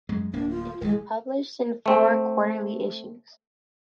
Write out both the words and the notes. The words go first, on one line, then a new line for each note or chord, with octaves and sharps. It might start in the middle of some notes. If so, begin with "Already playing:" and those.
It is published in four quarterly issues.
F#2 G#3
D1 A#3 D4
F4
D#1 C3 E3 G#3
A3 C4